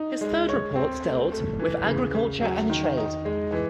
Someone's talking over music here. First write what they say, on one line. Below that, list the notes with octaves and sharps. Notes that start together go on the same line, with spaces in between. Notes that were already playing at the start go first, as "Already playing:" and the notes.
His third report dealt with agriculture and trade.
Already playing: D#4
G#3
C#5
C4
A3
A3
E3
C#3
C#3
F#3
D#3
D#4
G#3
E3